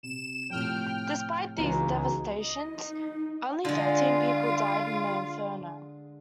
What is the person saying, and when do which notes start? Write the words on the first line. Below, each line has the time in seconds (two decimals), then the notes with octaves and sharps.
Despite these devastations, only thirteen people died in the inferno.
0.03 C3 E7
0.50 A2 C3 F3 G5 F6
1.57 C#2 E3 B3 D#4 F#4 A#5
2.41 D#5
2.78 D#4
3.65 D3 G#3 F4